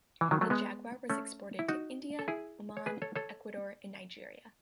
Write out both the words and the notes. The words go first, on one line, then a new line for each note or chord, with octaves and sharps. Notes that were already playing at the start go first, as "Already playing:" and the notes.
The Jaguar was exported to India, Oman, Ecuador and Nigeria.
E3
D#3 F#3
F#3 A3
G#3 B3
A3 C#4
E4
D#4 F#4
A4
E4 G#4
C#5
G#4 B4
A4 C#5
A4 C#5